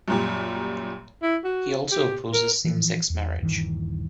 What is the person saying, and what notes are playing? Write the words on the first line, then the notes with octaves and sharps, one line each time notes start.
He also opposes same-sex marriage.
F#2 A#2 G3
E4
F#4
G4
A#4
E3 F3
E2
D#1 G2 D#3 E3